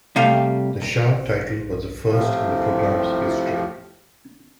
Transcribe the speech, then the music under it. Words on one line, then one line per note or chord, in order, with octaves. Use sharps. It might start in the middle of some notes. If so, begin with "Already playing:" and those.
The shared title was the first in the program's history.
C3 G3 A3 F5
A2 C3 F3